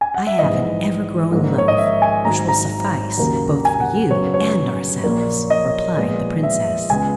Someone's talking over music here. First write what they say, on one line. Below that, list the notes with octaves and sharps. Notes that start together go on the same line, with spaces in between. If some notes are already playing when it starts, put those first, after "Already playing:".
"I have an ever-growing loaf, which will suffice both for you and ourselves," replied the princess.
G#5
F#5
E5
A#1 G#2 E3 D#5
A#1 G#2 D#3 A#3
C#5
D#5
E5
G#5
G#1 G#2 F#3 A#5
A#5
D#2 C#3 F#3 A#3
G#5
F#5
F#2 C#3 F#3 B3 C#5
C#5
A#1 A#2 A#3
D#5
A#1 A#2 G#3 B3
E5
C#2 C#3 G#3 B3 G#5